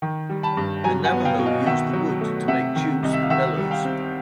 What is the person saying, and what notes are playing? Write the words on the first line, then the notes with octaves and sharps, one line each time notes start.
The Navajo use the wood to make tubes for bellows.
D#3
G3
A5 B5
G2
F#3 G#5 A#5
F#5 G#5
B3
F5 G5
B2
D#5 F5
D#3 E5 F#5
F#3
A3
C3 E5 F#5
D#3
C2 D#5
E5
F5
D#3 E5 F#5
G3
F5 G5
C4